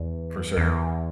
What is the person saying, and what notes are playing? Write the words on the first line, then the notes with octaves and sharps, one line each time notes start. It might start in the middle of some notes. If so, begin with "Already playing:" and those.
For sure.
Already playing: E2
E2